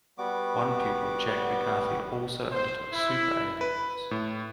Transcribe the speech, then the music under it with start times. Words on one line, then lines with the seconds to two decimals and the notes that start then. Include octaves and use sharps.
One pupil Jack McCarthy also undertook super A-Levels.
0.18 G3 B3 F#4 D6
2.52 C5
2.92 E4
3.61 B4
4.11 A2